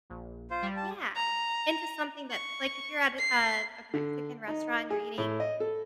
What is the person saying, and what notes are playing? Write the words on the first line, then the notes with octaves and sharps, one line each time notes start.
Yeah, into something that like, if you're at a a Mexican restaurant and you're eating,
A#1
F4 C5
G3
A5
A#5
C#6
C7
D3
D#4
G#4
A2
D#5
A4